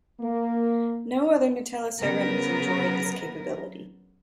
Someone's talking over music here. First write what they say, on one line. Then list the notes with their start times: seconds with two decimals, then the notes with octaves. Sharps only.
No other gnutella servant has enjoyed this capability.
0.20 A#3
1.99 C#3 F#3 B3 A#4 B4